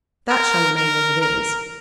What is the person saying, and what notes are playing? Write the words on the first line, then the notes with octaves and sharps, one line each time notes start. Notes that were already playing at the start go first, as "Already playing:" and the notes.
That shall remain as it is.
A#4
A#4
A#4